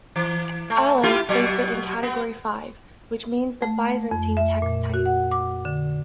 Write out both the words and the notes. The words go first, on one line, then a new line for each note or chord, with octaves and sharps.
Aland placed it in Category Five, which means the Byzantine text-type.
E3
A3
E4 F4 G4
B2 F#3
B3
A3
F2
E5
A#2
F#4
F#5
D6
D3